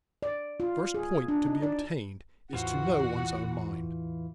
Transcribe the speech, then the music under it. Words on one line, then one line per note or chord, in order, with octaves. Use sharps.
The first point to be obtained is to know one's own mind.
D5
F4
G#4
D4
D#4
D5
A#1 E2 A2 E3 F4 F#4 C5 F#5